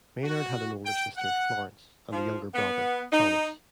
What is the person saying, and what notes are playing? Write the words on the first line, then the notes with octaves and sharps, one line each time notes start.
Maynard had an older sister, Florence, and a younger brother, Thomas.
F#4
G5
F#5
F3
B3
D#4